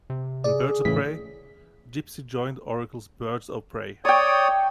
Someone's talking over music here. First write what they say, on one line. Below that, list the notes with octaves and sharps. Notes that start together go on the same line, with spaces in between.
In "Birds of Prey", Gypsy joined Oracle's Birds of Prey.
C3
G#4 D5
A2 C#3 E3 B6
C#5 D5 G5 C#6 D#6